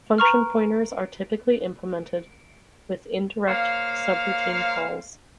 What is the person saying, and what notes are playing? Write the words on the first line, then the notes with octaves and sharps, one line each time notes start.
Function Pointers are typically implemented with indirect subroutine calls.
B4 A#5 C#6 F6
A#3 C5 C#5 F5